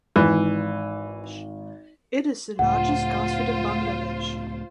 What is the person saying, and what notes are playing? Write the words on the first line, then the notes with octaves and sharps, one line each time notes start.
It is the largest gas field in Bangladesh.
G#1 E3 D#4
C#2 A2 F4 C5 F#5